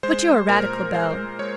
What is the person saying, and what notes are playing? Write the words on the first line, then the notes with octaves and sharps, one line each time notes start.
But you're a radical, Bell.
G#3 C5
A#2 A#4
G#3 C5
G#3 C#5